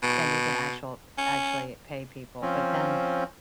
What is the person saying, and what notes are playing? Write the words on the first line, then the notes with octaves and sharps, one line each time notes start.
then you can actual actually pay people, but then
B2
C#4
F3 C4 C#4